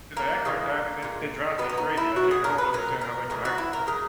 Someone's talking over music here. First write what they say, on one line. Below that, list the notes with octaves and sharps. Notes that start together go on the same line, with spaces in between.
'Cause they act like that, and it it drives me crazy. I can't I don't understand how they can act like that.
A#3
C#3 E3 G#3
A#2 G#3
B2 F#3 B3
C#4
D#4
E4
B2 F#3 F#4
G#4
A#4
B4
A#2 F#3 A#4
A#4
C#3 E3 G#3 A#4
F#4
E4
A#4
C#3 F#3 A#4